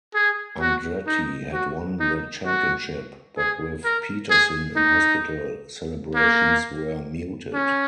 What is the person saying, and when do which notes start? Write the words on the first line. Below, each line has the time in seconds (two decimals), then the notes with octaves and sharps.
Andretti had won the championship, but with Peterson in hospital, celebrations were muted.
0.15 G#4
0.61 F#4
1.07 D#4
1.53 F#4
2.00 D#4
2.46 F#4
3.38 G#4
3.84 A#4
4.30 G#4
4.76 D#4
6.15 A#3
7.54 C#4